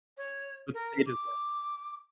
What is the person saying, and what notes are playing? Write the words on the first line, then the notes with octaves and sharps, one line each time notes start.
what state is that?
C#5
A#4
D6